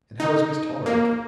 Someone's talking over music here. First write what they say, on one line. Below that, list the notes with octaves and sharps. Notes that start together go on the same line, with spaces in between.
And how is Miss Toller looking?
D#4
A#3